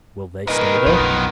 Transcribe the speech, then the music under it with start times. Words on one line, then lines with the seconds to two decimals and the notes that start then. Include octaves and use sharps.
"Will they stay there?"
0.48 A#2 D#3 A#4 B4 D#5
0.86 B1 F#2 F3 F#3 B3